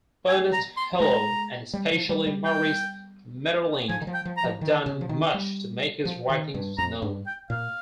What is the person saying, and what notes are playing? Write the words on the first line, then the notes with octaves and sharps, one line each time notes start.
Ernest Hello and especially Maurice Maeterlinck have done much to make his writings known.
G#5
A#5
C6
G#3 A#5
G3
F3
G3
G3
G5
F3 G#5
D#3
F3
G5
F3
A#5
F3
D#3
C#3
F3
D#3
G3
F3
D#3
G2
F2 A#5
G2
G5
A#2 F5